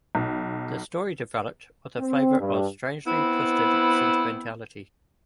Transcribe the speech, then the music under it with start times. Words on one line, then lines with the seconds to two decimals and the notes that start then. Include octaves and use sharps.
The story developed with a flavour of strangely twisted sentimentality.
0.15 B1
1.98 C4
2.40 G2
3.06 B3 C4 E4